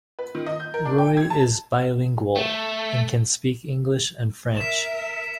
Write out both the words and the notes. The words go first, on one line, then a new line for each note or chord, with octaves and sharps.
Roy is bilingual, and can speak English and French.
B4
D#3
D#5
G6
A#4
D4
G5
G#6
A5
A3
A#4 E5 B6 E7